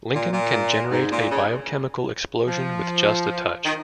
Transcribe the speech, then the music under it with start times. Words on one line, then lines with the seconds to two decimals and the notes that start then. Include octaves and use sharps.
Lincoln can generate a biochemical explosion with just a touch.
0.14 A#2
0.32 A#2
0.91 G#2
1.11 A#2
1.31 C#3
2.48 F3
3.64 D#3